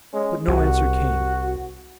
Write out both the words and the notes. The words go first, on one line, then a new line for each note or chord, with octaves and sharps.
But no answer came.
G#3 C#4
C2 F#4